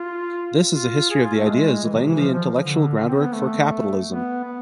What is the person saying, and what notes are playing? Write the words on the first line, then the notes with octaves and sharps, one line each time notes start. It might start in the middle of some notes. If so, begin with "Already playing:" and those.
This is a history of the ideas laying the intellectual groundwork for capitalism.
Already playing: F4
F4
G#4
F4
A3
G#3
E3
C3
E3
F3
F3
D3
D3
C4
B3
A3
B3
B3